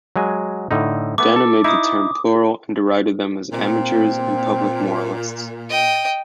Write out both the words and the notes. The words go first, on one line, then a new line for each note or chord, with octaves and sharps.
Dana made the term plural and derided them as amateurs and public moralists.
F#3 G#3 G#5
A2 D3 D#4
A3 B3 D6
A4
D#4 E4 D6 D#6
A#2 C4
D#5 G5